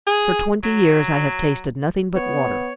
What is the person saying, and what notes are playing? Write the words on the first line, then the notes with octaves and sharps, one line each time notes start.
"For twenty years I have tasted nothing but water."
G#4
F#3
B3 C#5